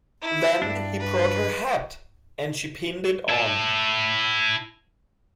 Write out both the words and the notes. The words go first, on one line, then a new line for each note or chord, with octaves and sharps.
Then he brought her hat, and she pinned it on.
E4
G2 D4
B4
E4 A5